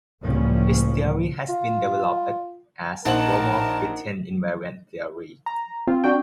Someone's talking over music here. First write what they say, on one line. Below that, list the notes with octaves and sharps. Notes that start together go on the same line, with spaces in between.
This theory has been developed as Gromov-Witten invariant theory.
F#1 C#2 A2 F3 G3 C#4
F4
A#1 D#4 A#4 C5 F#5 A5 F#7
A#5
C4 F4
D4 F#4 G5